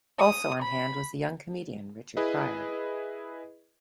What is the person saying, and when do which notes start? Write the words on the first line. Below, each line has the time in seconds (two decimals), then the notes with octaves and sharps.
Also on hand was the young comedian Richard Pryor.
0.19 D#6
0.61 B5
2.17 E4 G#4 B4 D#5